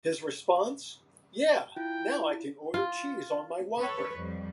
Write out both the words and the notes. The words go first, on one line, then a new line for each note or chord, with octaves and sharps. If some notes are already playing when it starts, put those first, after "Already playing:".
His response: "Yeah, now I can order cheese on my Whopper".
E4 F4 G5
F4
A4 B4 C#5
F2 G3